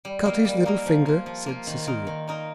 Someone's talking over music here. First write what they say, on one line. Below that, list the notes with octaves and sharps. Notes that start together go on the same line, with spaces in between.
"Cut his little finger," said Cecilia.
G3
A#3 D#4 A#4
G3
A#3 D#4 A#4
F3
A#3 F4
F3
A#3 F4
D#3
A#3 D#4 A#4
D#3
A#3 D#4 A#4